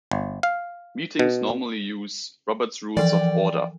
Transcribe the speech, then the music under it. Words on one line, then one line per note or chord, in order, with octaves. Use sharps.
Meetings normally use "Robert's Rules of Order".
G1
F5
B2
E3 F3 D5 G5